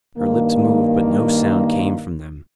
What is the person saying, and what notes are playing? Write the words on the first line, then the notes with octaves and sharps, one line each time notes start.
Her lips moved; but no sound came from them.
G2 D#3 A#3